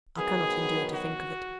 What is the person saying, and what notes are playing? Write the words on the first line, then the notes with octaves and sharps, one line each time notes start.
I cannot endure to think of it.
D#3 F#3 B3 G#4
F#4